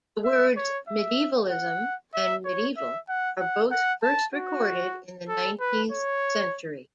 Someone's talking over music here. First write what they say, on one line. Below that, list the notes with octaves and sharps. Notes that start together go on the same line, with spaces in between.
The words "medievalism" and "Medieval" are both first recorded in the nineteenth century.
E5
C#5
E5
F#5
E5
C#5
E5
F#5
F#5
F#5
A5
F#4
A4
B4
C#5